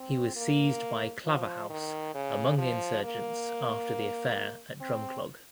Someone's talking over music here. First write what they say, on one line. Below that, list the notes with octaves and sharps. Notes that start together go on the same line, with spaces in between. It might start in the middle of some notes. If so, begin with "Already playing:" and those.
He was seized by Claverhouse among the insurgents after the affair at Drumclog.
Already playing: C4
A#3
F3
D#3
C#3
F3
A#3
C4